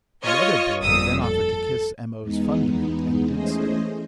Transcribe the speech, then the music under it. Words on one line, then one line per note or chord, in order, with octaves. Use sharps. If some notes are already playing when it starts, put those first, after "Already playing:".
The other boy then offered to kiss M.O.'s fundament, and did so.
F4 C#5 D#5
G1 F2 A#2 D#6 E6
A4
E2 G#3 B3 D#4
E3 A3 C#4 G#4 C5 D#5